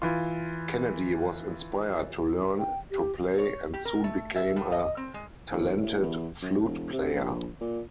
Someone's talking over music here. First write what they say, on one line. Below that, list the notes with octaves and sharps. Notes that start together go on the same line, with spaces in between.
Kennedy was inspired to learn to play and soon became a talented flute player.
E3 F4
G5
G4
C#5
G4
A#4
A3
E5
A2
D#5
C4
G#3
D#2
A2
E2
F#2
E1
C3
A#1
A#2